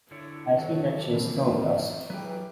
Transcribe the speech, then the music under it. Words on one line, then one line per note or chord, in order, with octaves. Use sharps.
I see that she is still with us.
D3 E4 C#5
D#3 F#3 G4 A4 C#5
C3 E3 A#3
F#3
E3 F#3 G4 G#4 B4 G5